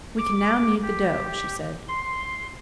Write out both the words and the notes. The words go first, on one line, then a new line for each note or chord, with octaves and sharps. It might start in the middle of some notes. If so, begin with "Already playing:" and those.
"We can now knead the dough," she said.
D6
G4
C6